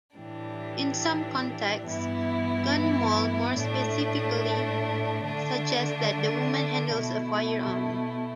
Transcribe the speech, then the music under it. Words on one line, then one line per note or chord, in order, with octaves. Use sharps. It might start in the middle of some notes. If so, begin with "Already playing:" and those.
In some contexts, "gun moll" more specifically suggests that the woman handles a firearm.
A2 E3 G3 D4
G2 E3 B3 E4
A2 A3 D4
D3 A3 D4
B2 A3 E4